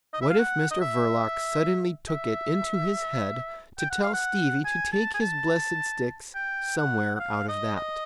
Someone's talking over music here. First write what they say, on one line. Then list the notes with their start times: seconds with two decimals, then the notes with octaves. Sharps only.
What if Mr Verloc suddenly took it into his head to tell Stevie to take his blessed sticks somewhere out of that?
0.14 D#5
0.22 E5
0.30 F5
0.39 F#5
0.71 D#5
0.81 E5
2.09 E5
3.79 G5
3.91 F#5
4.03 F5
4.14 F#5
4.65 G#5
4.93 A5
5.14 G#5
5.21 A5
6.35 G5
6.78 F#5
7.15 F#5
7.20 F5
7.48 D#5
7.76 D#5